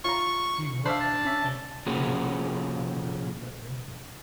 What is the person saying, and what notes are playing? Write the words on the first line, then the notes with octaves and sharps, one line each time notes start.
He worked for the State Duma of the Russian Federation.
F4 A#5 C#6
D4 C5 E5 F5
A5
C#4 E5
C3 F3 A#3 C#4 F#4 G#4